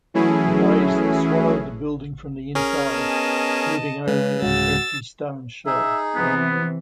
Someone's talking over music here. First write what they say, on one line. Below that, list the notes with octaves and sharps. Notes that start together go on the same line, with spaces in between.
The blaze swallowed the building from the inside, leaving only an empty stone shell.
E3 F#3 A3 C#4 E4 G#4
C#4 G#4 A#4
B3 D#5 A5
C#3 G#3 B4
D1 G#3 F#4 E6 A6
D#4 G#4 E5
C3 E3 B3